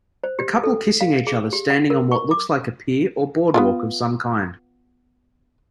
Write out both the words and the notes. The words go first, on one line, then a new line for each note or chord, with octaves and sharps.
A couple kissing each other standing on what looks like a peer or boardwalk of some kind.
C5
G4
A4
F5
G#4
G4
F#5
A#4
C#6
D6
B3 E4 F4